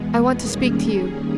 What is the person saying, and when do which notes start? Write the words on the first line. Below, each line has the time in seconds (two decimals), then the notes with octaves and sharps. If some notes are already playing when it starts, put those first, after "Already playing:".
I want to speak to you.
Already playing: E2 B2 G#3 B3
0.38 D#3 G3 A#3 C#4 G#4